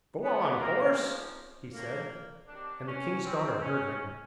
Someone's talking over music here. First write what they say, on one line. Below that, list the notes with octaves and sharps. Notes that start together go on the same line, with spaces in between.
"Go on, horse," he said and the king's daughter heard him.
A2 F3 B3
A#3
G#2 F3
A2 F#3 A#3
C3 D#3 F#3 D4
C#4
G2 E3 G3 C4
C#4